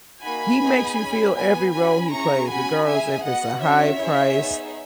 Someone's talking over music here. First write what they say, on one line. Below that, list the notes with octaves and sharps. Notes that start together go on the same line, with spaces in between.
He makes you feel every role he plays, regardless if it's a high priced
A#3 D#4 F#4 G#5 B5
B3 D#4 G#4
C#4 G#4
B3 F#4 G#5 B5
C#4 F#4 G#5 B5
C#4 E4 G#4 A#5 C#6
C#4 F#4 G#5 B5
C#4 E4 G#4 E5 G#5
B3 F#4 D#5 F#5
C#4 F#4 C#5 E5
C#4 E4 G#4
B3 D#4 G#4